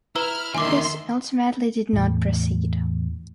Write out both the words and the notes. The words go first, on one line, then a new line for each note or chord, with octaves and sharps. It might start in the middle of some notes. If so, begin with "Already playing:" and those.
This ultimately did not proceed.
E4 B4 A#5 E6 F6
D#2 D3 D#3 E5 G#5 C6 D6
E2 A2